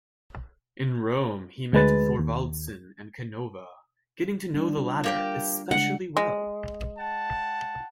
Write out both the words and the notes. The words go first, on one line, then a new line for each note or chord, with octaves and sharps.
In Rome he met Thorvaldsen and Canova, getting to know the latter especially well.
D2 G#3 B4 A6
D#2
G3 D4
F4
A#3 G4 G5
C#3 G#3 D4 F#5
G#3
F#5 G5 A5